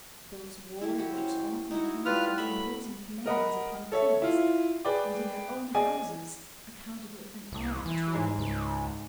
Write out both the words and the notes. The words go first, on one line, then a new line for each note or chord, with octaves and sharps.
Those warriors often came from imposing commands upon kings, and in their own houses accounted it an honor to obey.
E4 G4
F#4 G4
C#4 C5
D#4 E4 F#4
G3 B3 F4 B4 F6
F#3 A3 E5 B5
A#4 D#5 F#5 B5
A4 C#5 E5
E4 F4
G#4 B4 D5 G5 D6
G#4 D5 D#5 G#5
C2
E3
G#2 G#3
C#2